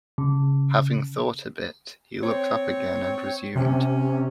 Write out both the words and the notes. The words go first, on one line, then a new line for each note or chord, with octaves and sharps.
Having thought a bit, he looked up again and resumed.
C#3
C4 C#5
C3 C#4